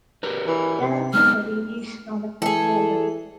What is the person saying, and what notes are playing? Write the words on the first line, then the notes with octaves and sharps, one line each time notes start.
The dance is a variation on a conga line.
G4 A#4 B4
E3
C3
G#3 B3 D#4 F6
E3 G#4 A4